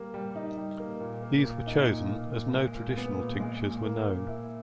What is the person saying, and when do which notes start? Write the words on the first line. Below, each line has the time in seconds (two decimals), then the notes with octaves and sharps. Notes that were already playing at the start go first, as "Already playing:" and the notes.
These were chosen as no traditional tinctures were known.
Already playing: G3 A#3
0.14 G3
0.36 D#4
0.57 G3
0.80 A#3
1.01 A#2
1.22 A#3
1.45 A#2
1.67 D#4
1.89 A#2
2.09 A#3
2.32 A#2
2.54 G#3
2.74 A#2
2.97 B3
3.19 A#2
3.40 G#3
3.62 A#2
3.84 A#3
4.06 A#2
4.28 E4